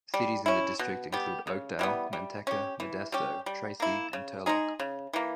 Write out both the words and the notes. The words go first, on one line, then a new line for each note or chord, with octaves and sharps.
Cities in the district include Oakdale, Manteca, Modesto, Tracy, and Turlock.
G3
C#4 E4
B2
G3 B3 G4
C#3
E3 G3 B3
G3
C#4 G4
E3
G3 C#4 G4
G3
A#3 E4
C#3
G#3 D#4 G#4
C#3
E3 A#3